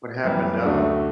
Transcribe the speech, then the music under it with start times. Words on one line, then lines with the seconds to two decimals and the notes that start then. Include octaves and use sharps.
What happened? Uh-oh.
0.25 F#2 E3 G3 B3
0.64 D2 D3 A3 D4 F#4